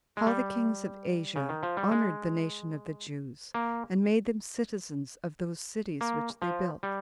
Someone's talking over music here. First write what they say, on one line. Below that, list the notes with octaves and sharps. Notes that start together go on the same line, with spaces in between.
How The Kings Of Asia Honored The Nation Of The Jews And Made Them Citizens Of Those Cities Which They Built.
G#3
G3
C#3
D#3
F3
G3
G#3
A#3
A#3
F3
G3